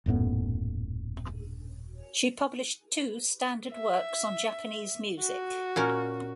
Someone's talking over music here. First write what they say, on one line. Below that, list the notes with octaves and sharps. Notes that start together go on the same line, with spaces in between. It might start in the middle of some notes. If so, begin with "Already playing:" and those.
She published two standard works on Japanese music.
D#1 F#2 A2 B3
E5
F#4
A#2 C#4 A#4